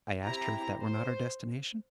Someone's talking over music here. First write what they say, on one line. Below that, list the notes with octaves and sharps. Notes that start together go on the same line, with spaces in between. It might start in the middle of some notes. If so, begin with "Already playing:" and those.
I asked her if that were not our destination?
C4 E4 G4 A#5
C5